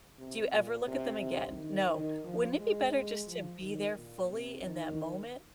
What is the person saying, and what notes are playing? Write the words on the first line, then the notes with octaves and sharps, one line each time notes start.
Do you ever look at them again, no, wouldn't it be better just to be there fully in that moment?"
C3
A#2
C3
C3
D#3
D#3
F3
G#3
G#3
F3
D#3
A#2
C3
D#3